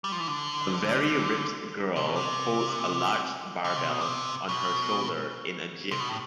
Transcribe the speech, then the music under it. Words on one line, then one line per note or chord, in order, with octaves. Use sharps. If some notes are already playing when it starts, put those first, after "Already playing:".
A very ripped girl holds a large barbell on her shoulder in a gym.
G3
F3
E3
D3
C3
B2
C3
D3
C3
B2
C3
B2
C3
B2
A2